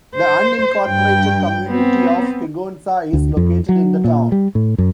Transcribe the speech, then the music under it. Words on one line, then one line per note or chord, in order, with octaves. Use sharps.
The unincorporated community of Kegonsa is located in the town.
C5
G2 G5
B3 C4
D2
F2
F#3
A#2
G3
A2
F#2